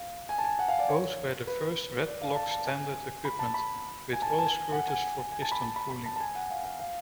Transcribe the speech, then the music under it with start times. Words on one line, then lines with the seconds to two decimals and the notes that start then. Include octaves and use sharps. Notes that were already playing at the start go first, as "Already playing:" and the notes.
Both were the first redblocks standard equipped with oil squirters for piston cooling.
Already playing: F5
0.29 G#5
0.38 A5
0.44 G#5
0.59 F#5
0.68 F5
0.79 D5
0.88 C#5
1.47 B4
2.06 D5
2.21 F5
2.36 A5
2.51 A5
2.66 G#5
3.25 B5
3.39 A5
3.54 B5
4.13 G#5
4.22 A5
4.30 G#5
4.39 A5
4.46 G#5
4.72 F#5
4.88 G#5
5.32 G#5
5.42 A5
5.52 B5
5.61 A5
5.76 B5
5.91 B5
6.06 A5
6.16 A5
6.20 G#5
6.35 F#5
6.51 F5
6.65 F5
6.79 F5